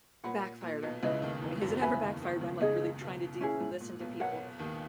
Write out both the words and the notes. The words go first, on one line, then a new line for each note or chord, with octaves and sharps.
backfired on me? Has it ever backfired when I'm, like, really trying to deeply listen to people?
A#2 A#4 C#5 F#5 B5
A#2
B1 B2
C#2 C#3 E4 B4 D#5
D#2 D#3
E2 E3
F#2 F#3
E2 E3 B4 E5 G#5 B5
C#3
D#2 D#3
D#2 D#3
C#2 C#3
C#2 C#3 D#4 G#4 D#5
B1 B2
A#2 C#4 E4 G#4
G#2
A#2
B1 B2
B1 B2 A#4 C#5 F#5
D#2 D#3